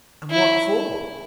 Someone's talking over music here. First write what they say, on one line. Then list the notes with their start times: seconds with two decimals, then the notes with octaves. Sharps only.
"And what for?"
0.30 E4